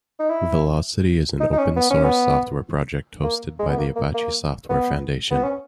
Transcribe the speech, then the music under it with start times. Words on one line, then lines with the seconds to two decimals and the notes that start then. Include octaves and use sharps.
Velocity is an open source software project hosted by the Apache Software Foundation.
0.19 D#4
0.30 E4
1.40 D#4
1.53 D#4
1.58 C#4
1.76 B3
1.90 C#4
2.04 B3
3.23 A#3
3.59 G#3
3.69 B3
3.78 A#3
3.96 A#3
4.14 A#3
4.69 B3
5.31 B3
5.44 C#4